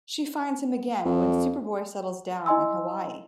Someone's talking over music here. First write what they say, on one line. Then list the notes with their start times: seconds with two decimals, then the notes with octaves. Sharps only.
She finds him again when Superboy settles down in Hawaii.
1.05 F2
2.46 E4 D#5 G#5 C6 E6